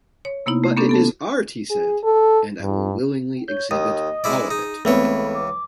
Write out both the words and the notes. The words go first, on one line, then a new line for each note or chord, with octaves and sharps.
'But it is art' he said 'and I will willingly exhibit all of it.
C#5
C3 A#3 B3 D#4 E4
A3
A#3 B3 C#4 D4 G4 A4
B3 A4 A5
G#4
A4
G2
C#5 G6
D#2 D#5 D#6
G#3 E4 D5
D#4 G#4
C#2 E3 A3 B3 C4 C#5 B5
D6